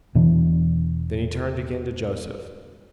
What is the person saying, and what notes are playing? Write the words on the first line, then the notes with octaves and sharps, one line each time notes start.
Then he turned again to Joseph.
E1 B2 E3 D4